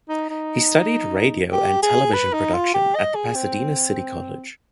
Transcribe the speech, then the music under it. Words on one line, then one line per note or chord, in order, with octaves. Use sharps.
He studied radio and television production at Pasadena City College.
D#4
D#4
G4
G#4
B4
D#4
F4
G4
D#5
G#4
C4